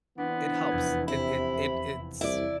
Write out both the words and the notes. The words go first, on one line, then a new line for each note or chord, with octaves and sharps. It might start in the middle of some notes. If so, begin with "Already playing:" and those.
it helps. It it it it's
E3 B3 C4 D4
F1 E2 G#6
C3 E4 B5
C2 E4 D5